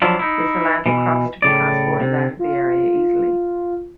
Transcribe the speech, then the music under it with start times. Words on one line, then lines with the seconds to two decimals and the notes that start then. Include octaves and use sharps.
This allowed crops to be transported out of the area easily.
0.02 F3 F#3 D4 E4 F4
0.19 D#4 E4
0.86 B2 E3
1.42 A2 C#3 D5
2.00 C3
2.39 F4